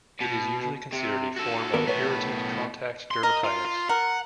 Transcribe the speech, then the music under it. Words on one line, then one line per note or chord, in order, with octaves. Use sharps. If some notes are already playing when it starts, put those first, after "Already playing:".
It is usually considered a form of irritant contact dermatitis.
B2
C3
F#4 A4
D#2 B3 A#4
B1 A2 B3 B4 C#5
C6
A#4 D#5
F4
F4
A#4 F#5